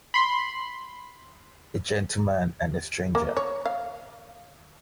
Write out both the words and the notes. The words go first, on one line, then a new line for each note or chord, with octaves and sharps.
A gentleman and a stranger!
B5 C6
A#3
C#5
F5